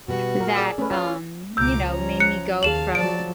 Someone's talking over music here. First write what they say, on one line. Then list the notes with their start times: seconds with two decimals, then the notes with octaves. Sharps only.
that, um, you know, made me go from,
0.08 B2 G3 B3 F#4
0.40 A#2 A#4
0.55 G#4 D5 E6
0.78 A3 C#4 B4
0.91 F4 C#5
1.57 C#2 B2 A#5 D6 E6 G6
1.87 F3 C#4 A#5
2.20 F#6 C#7
2.63 D#2 G#4 F5 A5 E7 F#7
2.95 F3 F#3 D5 A5 D7